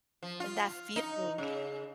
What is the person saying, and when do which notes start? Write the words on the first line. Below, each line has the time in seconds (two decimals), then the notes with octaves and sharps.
And that feeling.
0.23 F3
0.40 F4
0.96 D#4
1.38 C#3